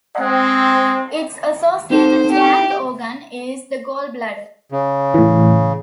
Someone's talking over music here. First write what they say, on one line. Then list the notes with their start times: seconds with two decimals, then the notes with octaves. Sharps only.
Its associated yang organ is the Gallbladder.
0.20 G#3 C4
1.90 C4 D#4 A4 C5
2.32 G4
4.72 C#3
5.14 A2 E3